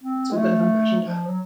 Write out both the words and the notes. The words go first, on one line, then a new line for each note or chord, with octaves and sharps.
It's all going to come crashing down.
C4
G#3
A3
F3
F#3